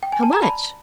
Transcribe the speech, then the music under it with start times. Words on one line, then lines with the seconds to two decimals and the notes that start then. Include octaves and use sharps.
"How much?"
0.03 G5
0.12 G#5
0.23 A5
0.33 A#5
0.43 D5 A5 B5